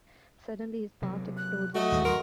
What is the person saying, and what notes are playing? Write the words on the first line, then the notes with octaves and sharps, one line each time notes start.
Suddenly his past explodes on him.
C3 F#3
F#6
A3 F#4 D#5
D#2 G#2 E3
A#4 C6